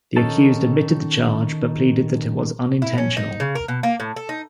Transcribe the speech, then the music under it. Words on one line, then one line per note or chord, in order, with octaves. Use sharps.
The accused admitted the charge, but pleaded that it was unintentional.
D#3 C#4 D#4 A4 A5
E4
C#4
D#4
C#3
A#4
B2
A#3
A2
A4
D#4